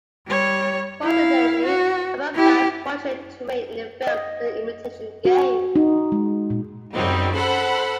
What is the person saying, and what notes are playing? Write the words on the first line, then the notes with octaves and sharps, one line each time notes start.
Coincidentally, Cumberbatch portrayed Turing in the film The Imitation Game.
G3 C#5
E4 F5
F#4
E4 G4
D#5
F#4
D#4
G#3
A#2
F#2 C#3 F#3 G3 C4 D#4
A4 C5 F#5 B5